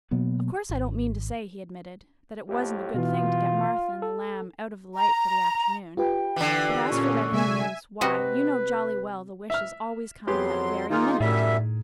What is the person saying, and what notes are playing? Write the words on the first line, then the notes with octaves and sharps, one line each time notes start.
'Of course I don't mean to say,' he admitted, 'that it wasn't a good thing to get Martha and the Lamb out of the light for the afternoon; but as for Red Indians - why, you know jolly well the wishes always come that very minute.
B2 F#3 A#3 B3
G#1
F2 A2 G4
B2 E3 F4
A4
A#5
F4 G4 B4 G5
D3 E3
A#2 C#4 C#6
C3 G#3 E5 G#5
C3 F#4 B4 D#5
E5 F6
F2 F#3 B3 G4 G#4 C6
D#3 A#3 D#4 F4 G#4 F6
F#2 A2 G3 E5